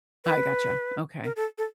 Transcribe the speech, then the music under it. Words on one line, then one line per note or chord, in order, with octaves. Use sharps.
I gotcha, okay.
B4
A#4
A4
A4